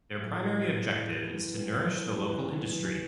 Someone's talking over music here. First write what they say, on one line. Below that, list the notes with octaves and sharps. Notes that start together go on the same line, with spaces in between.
Their primary objective is to nourish the local industry.
A2 F#3 G#4
G#4
A4
G#4
A4
A2 F#3 G#4
E2 B2 F#3
E2 B2 F#3 B4
A4
G#4
E2 C#3 F#3 F#4
G#4
G#4
C#3 F#3